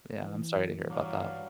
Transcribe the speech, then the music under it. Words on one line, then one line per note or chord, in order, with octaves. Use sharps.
Yeah. I'm sorry to hear about that.
E3
G2 F#3 D4 F5